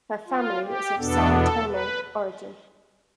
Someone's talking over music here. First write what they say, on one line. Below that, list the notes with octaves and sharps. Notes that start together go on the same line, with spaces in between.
Her family is of Sao Tome origin.
F4
G4
E2 B2 B3 D4 A4
A4
B4